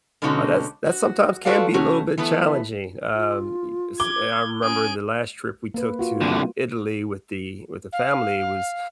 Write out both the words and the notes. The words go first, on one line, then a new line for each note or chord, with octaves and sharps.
Uh, that's that sometimes can be a little bit challenging, um, y s I remember the last trip we took to Italy with the with the family was,
B2 D3 G#3 C#4 D#4 F#4
F#4
F4 F#4 A4 B4 D5 F5
C3 A3 C#4 F#4
E3 A3 B3 B4
F4
D6 G#6 G7
C#4 G#5 D#6 D7
A#3 B4
F4 F#4
C2 D3 A#3 F4
F5